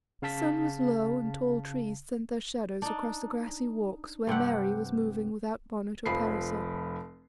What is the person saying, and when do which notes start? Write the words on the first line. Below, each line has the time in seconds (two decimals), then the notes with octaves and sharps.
The sun was low, and tall trees sent their shadows across the grassy walks where Mary was moving without bonnet or parasol.
0.22 C#3 F5 A5 B6
2.82 D4 D#4
4.27 G2 C3 G4 F#5
6.06 F1 F3 B5 C7